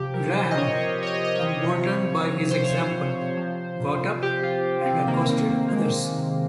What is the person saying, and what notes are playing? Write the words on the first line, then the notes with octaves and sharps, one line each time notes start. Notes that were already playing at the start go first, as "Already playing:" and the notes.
Graham, emboldened by his example, got up and accosted others.
Already playing: C3 F3 G4
A#4
C5
D#5
C#5
C#5
C#5
D#5
D#5
C#5
C3 F3
C5
C#5
C5
C3 F3
G4
F4
C4
C3 D#3 A#3
C4
C4
A#3
G#3